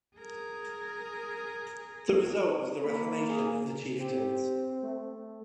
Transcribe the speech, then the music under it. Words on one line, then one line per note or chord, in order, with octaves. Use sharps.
The result was the reformation of The Chieftains.
G#4 A#4
A#3 B5
G#4
C#3
C4 G4
A3